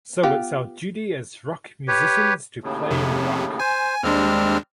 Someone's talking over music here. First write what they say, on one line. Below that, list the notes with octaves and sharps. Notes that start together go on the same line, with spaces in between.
So it’s our duty as rock musicians to play rock.
B3 F4 G4
G4 B4 C#5
D#2 A2 C#3
F2 C3
C5 G#5
D#2 G3 G#3 C4 D4 F6